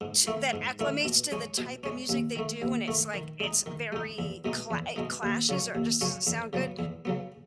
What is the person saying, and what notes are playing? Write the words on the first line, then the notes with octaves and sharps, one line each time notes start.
to that acclimates to the type of music they do, and it's, like, it's very cla it clashes or just doesn't sound good,
G#2
D#3 A3 E4
G#2
D#3 A3 E4
B2
G#3 C#4
B2
G#3 C#4
D#2
D#3 A3
D#2
D#3 A3
D#3
G#3 D#4
D#3
G#3 D#4
E2
B2 G#3 D#4
E2
B2 G#3 D#4
D#2
C#3 F#3 C#4
D#2
C#3 F#3 C#4
E2
C#3 F#3 B3
E2
C#3 F#3 B3